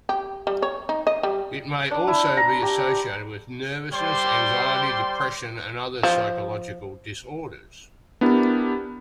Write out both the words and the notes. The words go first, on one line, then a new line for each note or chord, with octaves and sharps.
It may also be associated with nervousness, anxiety, depression, and other psychological disorders.
G4
G3
C#5
D#4
D#5
G3
D4
E4
A#5
G4
G3 C5 D5 G5 C6
F3
B3 D4 E4 G4 A#4